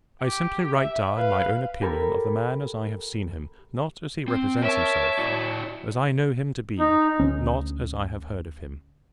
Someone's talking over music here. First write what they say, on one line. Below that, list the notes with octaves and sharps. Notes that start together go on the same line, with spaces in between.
I simply write down my own opinion of the man as I have seen him, not as he represents himself; as I know him to be, not as I have heard of him.
G4
E5
B4 F5
G4 A4 A#4 G#5 A5 B5
C4
A#4 C#5 E5 A5
E4 F#4 D5
D#4
D2 C#4